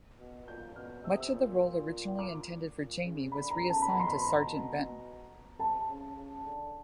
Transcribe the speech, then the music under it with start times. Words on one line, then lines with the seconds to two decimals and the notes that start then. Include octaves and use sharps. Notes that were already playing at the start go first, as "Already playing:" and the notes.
Much of the role originally intended for Jamie was reassigned to Sergeant Benton.
0.19 B2
0.47 A#2 G6
0.75 B2 F6
1.04 C3 E6
1.13 D#6
1.20 E6
1.33 A#2
2.19 D6
2.75 A#2
3.04 C#3
3.32 D3 B5
3.50 A#5
3.60 C#3
3.69 A5
3.82 B5
3.88 B2 A#5
4.00 C6
4.08 B5
4.17 B2
4.27 A#5
5.59 C3 A5
5.88 C#3
6.16 C#3
6.45 D3